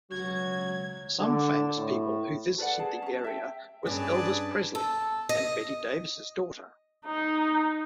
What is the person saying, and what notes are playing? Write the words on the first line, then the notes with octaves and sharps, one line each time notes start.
Some famous people who visited the area was Elvis Presley, and Betty Davis' daughter.
C#2 F#3 F#4 G#6
D3
A2
A4 B4 D5 F#5
G#4 A5
C#4 A5
E5 G5
G2 C#4 G#4 B4 D5 A5
A4
D#5
D#4